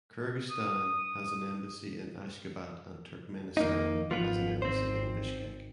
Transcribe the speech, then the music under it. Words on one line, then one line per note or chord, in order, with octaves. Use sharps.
Kyrgyzstan has an embassy in Ashgabat and Turkmenistan has an embassy in Bishkek.
D#6
F2 D#3 A#3 D#4
G#1 F3 B3 F4
C4 C5